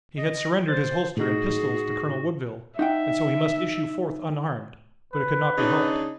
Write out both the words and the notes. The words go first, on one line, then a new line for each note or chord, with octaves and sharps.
He had surrendered his holster and pistols to Colonel Woodville, and so he must issue forth unarmed, but it could not be helped.
D#5
C5 A6
A2 D#4 F#4 G#4
D#4 E5 F#5 G5
B4
C#3 D4 D#4